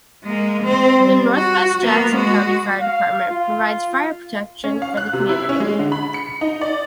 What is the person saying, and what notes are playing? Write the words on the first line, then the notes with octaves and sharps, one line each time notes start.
The Northwest Jackson County Fire Department provides fire protection for the community.
G#3 A#3
C4
G3
F#4
A#3 B3
G#3 F#4
F5
F4
C#4
F5
F#6
C3
E4
C#4
G#3
D3
B5
C#7
D#4
D5